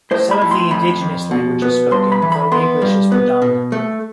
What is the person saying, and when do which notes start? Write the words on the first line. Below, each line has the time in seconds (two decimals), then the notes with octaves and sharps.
Some of the indigenous language is spoken though English is predominant.
0.11 A2 C5
0.31 B5
0.42 A2
0.51 C6
0.71 F2 B5
1.01 F2
1.31 B2
1.62 B3
1.91 G2 C6
2.12 B5
2.22 E3
2.32 B5
2.52 B3 C6
2.82 G2
3.12 B3
3.42 B2
3.72 A3